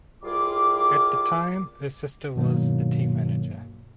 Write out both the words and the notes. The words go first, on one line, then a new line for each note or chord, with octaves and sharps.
At the time her sister was the team manager.
C2 G3 F4 G#4 A#4 D6
G2 B2 D#3 F#3 A#3